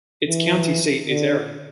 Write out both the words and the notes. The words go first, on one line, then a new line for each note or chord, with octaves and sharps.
Its county seat is Erin.
E3
D3